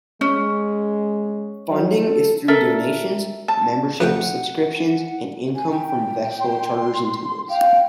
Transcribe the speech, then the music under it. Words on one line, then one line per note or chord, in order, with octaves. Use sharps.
Funding is through donations, membership subscriptions and income from vessel charters and tours.
G#3 C#4
F#3
A4
A4 A#4 E5
A5
F2 A3 B4 F#5 G5
G#5
G5
C6
F5 G5